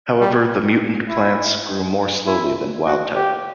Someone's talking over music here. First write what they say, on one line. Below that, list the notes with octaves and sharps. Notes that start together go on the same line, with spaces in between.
However, the mutant plants grew more slowly than wild-type.
G3
E4
E4
F#4
G4